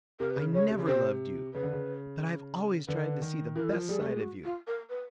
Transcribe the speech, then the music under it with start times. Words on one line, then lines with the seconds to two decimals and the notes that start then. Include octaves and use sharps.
I never loved you, but I have always tried to see the best side of you.
0.20 C3 A#4
0.31 B4
0.36 C#3 A#4
0.53 C#3 C#5
0.70 C3
0.79 C#3
0.87 C3 C5
1.54 C#3 B4
1.63 D3
1.73 C#3
2.88 D3 B4
2.96 A#4
3.03 B4
3.22 D#3
3.56 E3 A#4
3.64 A4
3.71 F3 A#4
3.89 G3 G#4
4.00 A3
4.05 G#3
4.17 G4
4.23 F#4
4.44 F4
4.67 A#4
4.90 B4